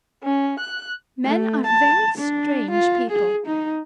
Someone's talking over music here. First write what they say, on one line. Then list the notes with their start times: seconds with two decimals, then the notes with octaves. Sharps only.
Men are very strange people.
0.24 C#4
0.60 F#6
1.24 A3
1.67 A5
2.18 D4
2.71 F4
3.11 G#4
3.47 D#4